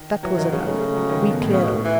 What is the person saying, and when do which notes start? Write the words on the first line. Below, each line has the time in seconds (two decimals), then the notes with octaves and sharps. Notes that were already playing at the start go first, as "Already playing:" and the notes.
That was enough: we cleared off.
Already playing: D#3
0.23 E3 F#3
0.38 D#3 F#3
0.52 C#3 G#3
0.62 D#3
0.67 C#3 A3
0.80 G#3
0.95 F#3
1.09 D#3
1.31 B2
1.42 A2
1.52 C#3
1.63 B2
1.85 E3